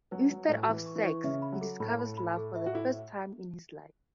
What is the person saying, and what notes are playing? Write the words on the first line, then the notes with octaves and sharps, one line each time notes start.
Instead of sex, he discovers love for the first time in his life.
F#3 B4
F#3 B4
A2 A3 B4
F#4
E3 E4 B4
C#6
E3 E4
C#6
C#3 C#4 E5
B5
F#3
A4
A2 A3 B5
B5
B5
A4
E5
F#4
E4 A4